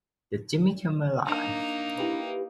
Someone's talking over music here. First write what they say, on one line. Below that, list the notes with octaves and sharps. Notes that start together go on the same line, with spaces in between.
The Jimmy Kimmel Live!
A#3 D4 D#4
E4 G4 B4